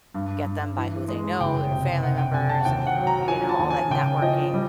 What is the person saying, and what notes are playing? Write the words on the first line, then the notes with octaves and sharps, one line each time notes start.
get them by who they know, their family members, and, you know, all that networking.
G2
G2
E3
G#3
F#1 G5
C3
C3 F#5
G5
C3 G#5
A5
F#5
D#2 G5
F#5
F#3
A#5
F3 G#5
A5
D#2
G#5
C#3 G5
F3 D#5
G3